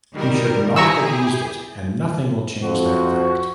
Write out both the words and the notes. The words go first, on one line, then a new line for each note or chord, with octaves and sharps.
He should not have used it and nothing will change that fact.
D#3 G3 A#4
E4 G4 G#4 A#5 C#6 E6
F2 F#4 C5